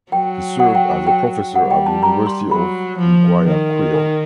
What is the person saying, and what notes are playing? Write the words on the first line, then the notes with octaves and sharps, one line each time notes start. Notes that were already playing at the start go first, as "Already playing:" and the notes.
He served as a professor at the University of Guayaquil.
F#3 G5
F#5
G5
G#5
G5
G3 F#5
G5
A5
A#5
C6
F#3 B5
F3
D#3
G#5